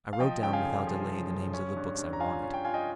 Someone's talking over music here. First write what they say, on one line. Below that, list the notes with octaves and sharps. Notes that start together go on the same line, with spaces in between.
I wrote down without delay the names of the books I wanted.
F5
F3 D#5 G5
C#3 G5
F5 G#5
F1
F3
C#3
C#3
C#4
G2
G2
A#5
F4 F5 G#5
C#4
G5
F4 G#5
D#5 G5